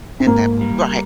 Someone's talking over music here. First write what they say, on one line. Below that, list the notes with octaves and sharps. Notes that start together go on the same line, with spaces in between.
And that mo right.
C4
G#2 A#3
G3